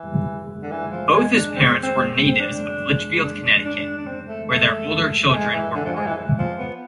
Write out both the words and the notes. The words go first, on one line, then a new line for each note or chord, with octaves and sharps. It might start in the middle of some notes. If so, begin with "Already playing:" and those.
Both his parents were natives of Litchfield, Connecticut, where their older children were born.
Already playing: E3
D3
E3
F3
G#3
D4
C4
C4
C4
C4
D4
D4
D4
D4
D4
C4
A3
A3
A3
G#3
E3
D3
F3
G#3
E3
F3
B3